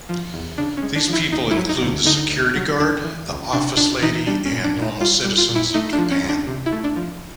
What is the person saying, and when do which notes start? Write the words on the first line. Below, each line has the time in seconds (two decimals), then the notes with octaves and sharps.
These people include the security guard, the office lady, and normal citizens of Japan.
0.09 F3
0.34 E2
0.58 C#3 D4
0.77 C#4
0.82 G#3
0.96 D4
1.08 F3
1.13 E4
1.31 D2 D#4
1.51 E4
1.57 F#3
1.69 D#4
1.81 D2
2.05 D3 D#4
2.30 D2
2.55 F#3
2.80 C#2 D4
3.04 E3
3.29 C#2
3.53 C3 D4
3.77 C#2 D4
4.02 E3 D#4
4.27 G3 D4
4.45 C#4
4.51 A#2
4.64 D4
4.76 A#2
4.82 D#4
5.01 G3 F4
5.24 G3
5.38 F4
5.49 A#2
5.55 E4
5.74 A3 D#4
5.93 D4
5.98 F3
6.11 C#4
6.23 C#2
6.29 D4
6.47 C3
6.66 E4
6.72 A3
6.84 D4
6.96 F3